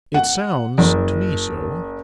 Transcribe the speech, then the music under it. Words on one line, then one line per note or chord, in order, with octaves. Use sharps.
'It sounds to me so.
F#5
F#1